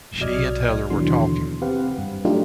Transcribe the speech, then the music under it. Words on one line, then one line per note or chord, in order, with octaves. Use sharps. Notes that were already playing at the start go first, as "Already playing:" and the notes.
She and Heather were talking.
B1 F#3 D5 D#5 F6 G#6
D#2 B2 D3 E3 F#3 C6
C4 G4 B4 F5 F#5
G2
F#3 A3 D4 D#4 F4 G4